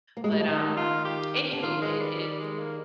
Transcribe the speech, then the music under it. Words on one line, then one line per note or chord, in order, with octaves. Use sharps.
but, um. Any whom, it it
A#3
G#3
G3
F3
D#3 D#4
F4
G4
D3
D#3 F4
G#3
G3
G3
G#3
A#3